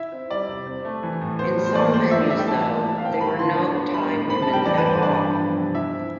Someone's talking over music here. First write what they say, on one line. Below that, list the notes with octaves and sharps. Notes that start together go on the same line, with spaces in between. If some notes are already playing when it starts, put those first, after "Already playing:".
In some venues though, there were no Thai women at all.
Already playing: E4 E5
C4
G3 D5
C3
C4
A3
E3
A2
B3 C5
G3
C5
E3 D5
A2 C5
B3 E5
D5
G3 E5
G5
E3 A5
A2
E4
F5
C4 G5
A5
G3 B5
D3 C6
D4
B3
G3 B5
A2
C4 B5
A5
G3
G5
E3 D5
B4
G2
C5
D4 D5
B3
F3
C3
E4 E5
C4